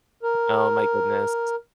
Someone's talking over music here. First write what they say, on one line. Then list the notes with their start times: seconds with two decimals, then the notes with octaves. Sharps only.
Oh my goodness.
0.23 A#4